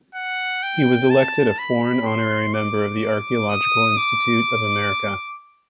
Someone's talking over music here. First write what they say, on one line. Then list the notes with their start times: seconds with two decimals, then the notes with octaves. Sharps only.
He was elected a Foreign Honorary Member of the Archaeological Institute of America.
0.15 F#5
0.63 G5
1.10 A5
1.59 B5
2.06 C6
2.54 D6
3.49 D#6
3.97 D6